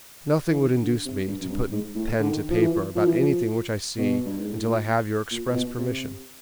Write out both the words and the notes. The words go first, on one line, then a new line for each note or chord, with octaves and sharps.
Nothing would induce me to put pen to paper about anything which I see until I have your express permission.
E3
D#3
D3
C3
G2
F#2
G2
G#2
A2
D3
D#3
F3
E3
F3
E3
F3
B2
G2
G#2
A2
A#2
A#2
A#2
B2
C3